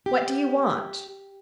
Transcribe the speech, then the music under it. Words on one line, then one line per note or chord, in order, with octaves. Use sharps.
"What do you want?"
G4